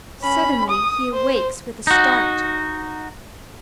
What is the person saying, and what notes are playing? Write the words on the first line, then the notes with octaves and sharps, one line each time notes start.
Suddenly he awakes with a start.
C#4 B5
D#6
C5
D#4 F#4